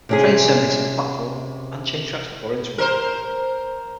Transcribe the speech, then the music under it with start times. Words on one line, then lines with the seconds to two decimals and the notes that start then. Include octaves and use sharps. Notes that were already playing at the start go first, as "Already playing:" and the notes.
Trains terminated at the platform, and changed tracks before entering it.
0.09 C3 C#4 G#4
2.78 A#4 C5